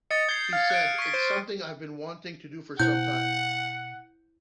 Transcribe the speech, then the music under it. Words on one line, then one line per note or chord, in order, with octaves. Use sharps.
He said, It's something I've been wanting to do for sometime...
D#5 D#6 A6 C#7
G6 G#6 C7
F5 F6
F#6 D7
C#6 B6
C5
B2 E4 C5 F#5 G6